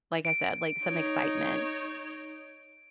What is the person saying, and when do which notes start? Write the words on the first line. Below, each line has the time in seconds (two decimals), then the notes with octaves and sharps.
like I said, like, some excitement
0.25 D7
0.84 D#4 C#5